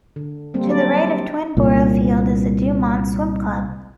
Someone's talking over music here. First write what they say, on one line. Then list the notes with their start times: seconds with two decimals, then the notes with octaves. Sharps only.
To the right of Twin Boro Field is the Dumont Swim Club.
0.16 D3
0.54 G3 A#3 C4
0.66 F#3 C4 D4 D5
1.57 C2 A#2